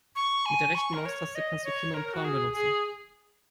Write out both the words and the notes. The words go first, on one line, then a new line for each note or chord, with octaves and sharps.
Mit der rechten Maustaste kannst du Kimme und Korn benutzen.
C#6
G#5
C#6
A#4
C#5
D#5
C#5
A#4
F#4
G#4
G#4